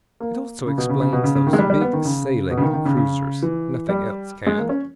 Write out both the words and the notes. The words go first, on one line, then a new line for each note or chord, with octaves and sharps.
It also explains those big sailing cruisers; nothing else can.
A#3
C#3
B2
C#3
C#3
B2
C#3
C#3
D#3
G#3
G3
G3
B3
D#3
C#3
B2
C#3
D#3
D#3
C#3
C#3
E3
G3
G#3
A#3
C#4